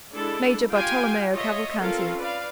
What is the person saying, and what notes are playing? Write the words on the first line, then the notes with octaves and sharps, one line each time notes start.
Major Bartolomeo Cavalcanti.
G#3 D4 E4 A4
F4 G4 F5 G5 G#5
F4 C#5 D#5 E5
C4 C#4 F4 A4 A#4 F5
B4 D5 F5